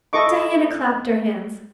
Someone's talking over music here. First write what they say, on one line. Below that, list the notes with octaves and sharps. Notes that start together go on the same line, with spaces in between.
Diana clapped her hands.
E4 A4 D#5 C#6 D6